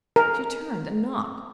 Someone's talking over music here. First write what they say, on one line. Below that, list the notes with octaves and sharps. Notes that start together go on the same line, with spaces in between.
She turned, and knocked.
A#4